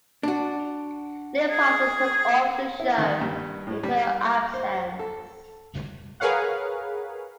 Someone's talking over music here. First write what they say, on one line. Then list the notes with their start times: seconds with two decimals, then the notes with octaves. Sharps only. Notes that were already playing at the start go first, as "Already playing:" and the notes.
Lynn Parsons took over the show in her absence.
0.23 D4 F#4
1.50 G#4
2.80 E4
2.98 D#3
3.21 G2
3.67 A2
3.83 G3
4.54 C5
4.99 A4
6.20 G#4 A#4 B4 C#5 F5 F#5